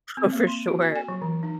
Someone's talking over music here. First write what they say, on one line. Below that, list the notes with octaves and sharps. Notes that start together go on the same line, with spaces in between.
Oh, for sure.
C4
A#3
C6
F#4
G#5
G#5
F#3
E3
D#4